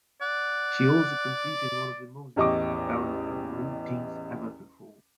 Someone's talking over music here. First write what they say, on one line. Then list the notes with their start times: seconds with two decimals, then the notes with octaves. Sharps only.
She also competed one of the most difficult balance beam routines ever performed.
0.21 D5 F#5
2.36 A1 E2 G4 D#5 C#6 D6